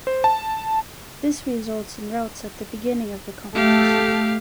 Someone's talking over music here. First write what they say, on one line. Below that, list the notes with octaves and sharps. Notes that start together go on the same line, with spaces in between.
This results in routs at the beginning of the competition.
C5
A5
A3 G4 F5